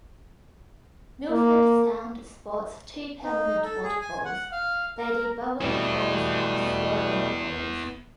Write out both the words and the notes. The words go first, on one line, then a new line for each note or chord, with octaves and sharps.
Milford Sound sports two permanent waterfalls, Lady Bowen Falls and Stirling Falls.
A#3
D#4
A4
G#4
G#5
F#5
F5
A#4
B2 G3 A3 B3 E4